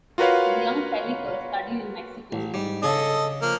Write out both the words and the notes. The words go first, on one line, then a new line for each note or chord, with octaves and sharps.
The young Pellicer studied in Mexico City.
F4 F#4 A#4 B4 C#5 F5
A1
G#2 G3
C#3 D4 A4 D#5
F3 A#3 F6